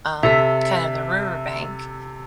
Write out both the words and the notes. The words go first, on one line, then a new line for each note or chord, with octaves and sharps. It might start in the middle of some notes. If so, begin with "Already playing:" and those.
um, kind of the riverbank
C3 A4 E5 B6